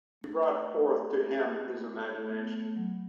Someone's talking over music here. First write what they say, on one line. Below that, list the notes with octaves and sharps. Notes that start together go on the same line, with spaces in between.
She brought forth to him his imaginations.
A3
A3
B3
A3
A3
F#3